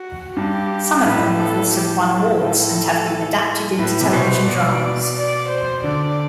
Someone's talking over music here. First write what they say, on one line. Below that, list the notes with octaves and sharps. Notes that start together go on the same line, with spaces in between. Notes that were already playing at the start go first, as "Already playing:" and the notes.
Some of her novels have won awards and have been adapted into television dramas.
Already playing: F#4
G2 G4
A2 B4
A4
G4
A4
A2
A2 B4
C3
B2 C5
B2 D5
D5
C5
D3 D5